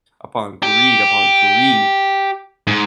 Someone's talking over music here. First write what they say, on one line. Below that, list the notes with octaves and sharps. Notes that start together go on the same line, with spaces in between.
upon greed, upon greed,
G4
G#2